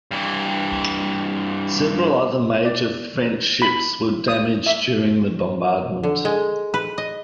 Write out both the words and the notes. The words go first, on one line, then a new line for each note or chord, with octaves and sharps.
Several other major French ships were damaged during the bombardment.
G2 E3
D5
B5
D#6
E5
D3
G#3
B4
D#5